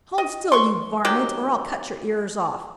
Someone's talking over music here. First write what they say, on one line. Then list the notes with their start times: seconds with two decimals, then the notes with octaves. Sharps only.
Hold still, you varmint, or I'll cut your ears off.
0.18 D#5
0.52 C6 C#6
1.05 D#3 F#3 G4